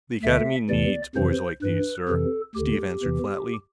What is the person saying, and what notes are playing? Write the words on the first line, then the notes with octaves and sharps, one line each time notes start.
"The academy needs boys like this, sir," Steve answered flatly.
D2 D3 E5
E2 C3 E3 D5
F2 C3 E3 C5
G2 E3 B4
F2 C3 E3 A4
D2 D3 G4
E2 C3 E3